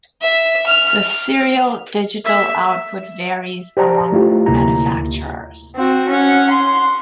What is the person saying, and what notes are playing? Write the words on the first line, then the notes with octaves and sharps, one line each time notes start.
The serial digital output varies among manufacturers.
E5
F6
E5
G4 C5 D5 A5 A#5
A3 E4 F4 G4
D2 C3 A#3 E4 A#5
C4 F#4
C#4 F#5
C6